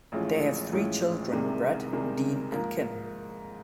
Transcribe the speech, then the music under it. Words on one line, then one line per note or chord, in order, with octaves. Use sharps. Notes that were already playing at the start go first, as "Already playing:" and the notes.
They have three children, Brett, Dean and Kim.
A1 A2 F3 G#3 C#4
A1 A2 F3 G#3 C#4
C2 C3 D#3 G#3
C2 C3 D#3 G#3
G#2 F3 A#3